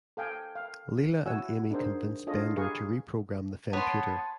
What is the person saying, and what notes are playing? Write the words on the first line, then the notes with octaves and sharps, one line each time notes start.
Leela and Amy convince Bender to reprogram the Femputer.
A4 F5 G5 G#5
F5
E4 F#4 C#5 F#5 G#5 E6
D4 D#4 G#4 A#4 C5
D4 F4 G#4 A4 C#5 D#5
G4 G#4 B4 F5 A#5 C#6
B3 C#5 A5 C6